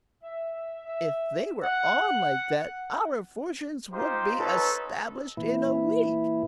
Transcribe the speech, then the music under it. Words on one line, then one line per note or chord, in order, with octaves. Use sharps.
"If they were all like that our fortunes would be established in a week."
E5
E5
F#5
D#4 F4 G4 C5
C4 D#4 A4 B4 C#5 A5
A#2 E3 E4